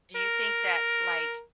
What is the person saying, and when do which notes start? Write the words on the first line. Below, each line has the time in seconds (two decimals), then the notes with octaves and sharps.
do you think that, like
0.16 A#4